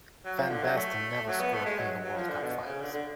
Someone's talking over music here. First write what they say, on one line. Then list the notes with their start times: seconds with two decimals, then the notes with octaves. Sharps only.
Van Basten never scored in the World Cup Finals.
0.25 F#3
0.38 F3
0.50 D3
0.63 F#3
0.76 A3
1.28 F#3
1.39 B3
1.53 A3
1.66 G#3
1.78 F#3
2.03 F#3
2.16 F3
2.29 D3
2.42 B2
2.67 C#3
2.81 D3
2.93 D3